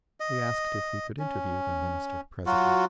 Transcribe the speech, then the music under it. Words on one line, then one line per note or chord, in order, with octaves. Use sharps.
We asked if we could interview the Minister-president.
D#5
C#4
F#3 F4 F#4